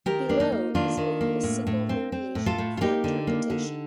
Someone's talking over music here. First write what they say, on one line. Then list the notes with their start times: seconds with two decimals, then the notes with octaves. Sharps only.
Below is only a single variation for interpretation.
0.06 D#3 G4 A#4
0.29 A#3 D4
0.40 D#4
0.52 A#3
0.75 D#3 D4 F4
0.97 D#3
1.21 A#3
1.43 A2
1.67 A2
1.89 C4
2.12 C4
2.35 A2
2.46 F4 A4
2.58 A2
2.77 F4
2.81 A#3 D#4 G4
3.04 D3
3.27 A#3
3.50 D3